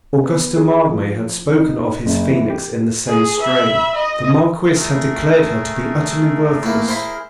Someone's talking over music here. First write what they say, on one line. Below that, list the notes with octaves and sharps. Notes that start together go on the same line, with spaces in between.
Augusta Mildmay had spoken of his Phoenix in the same strain. The Marquis had declared her to be utterly worthless.
B3
G#4
F3
D#4
F#1
E3
G4
G#4
E5 B5
D#5
A3 G#4 A#4
A2 A#3
E4 C5